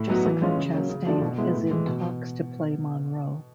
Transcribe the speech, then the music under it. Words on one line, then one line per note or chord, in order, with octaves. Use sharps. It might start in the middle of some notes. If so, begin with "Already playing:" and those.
Jessica Chastain is in talks to play Monroe.
Already playing: A2
F#3 B3 D#4 F#4
E3
G#3 C#4 F4
C#3
F#3 A#3 C#4
C#3
F3 A3 D4 F#4
B2
G#3 B3 E4
A2
E3 G#3
B2